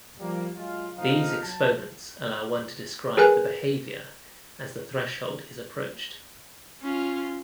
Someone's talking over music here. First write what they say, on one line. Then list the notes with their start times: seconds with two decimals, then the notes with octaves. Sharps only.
These exponents allow one to describe the behavior as the threshold is approached.
0.19 F3 G3 A#3
0.57 F#3 G#3 F4
0.98 B1 A#2 D3 F3 D#4 F5
1.43 F#3 A5
3.17 G#4 A#4 B4 G#5 F#6
6.81 C#4 F4